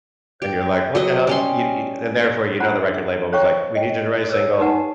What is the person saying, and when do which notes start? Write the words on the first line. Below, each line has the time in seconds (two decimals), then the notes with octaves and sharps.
and you're, like, "What the hell?" You t e and therefore, you know the record label was, like, "We need you to write a single
0.42 G4
0.95 F#3 B4 D#5
1.27 G3 C#4 C6
2.60 D4 F4 G#4 C5 F#5 A#5
2.94 E5
3.32 C5 C#5 F5 G5 A#5 C#6
3.75 D#5 G5
4.29 A#4 B4 C#5 D6
4.60 D#4 G4 B4 F#5 G#5 A5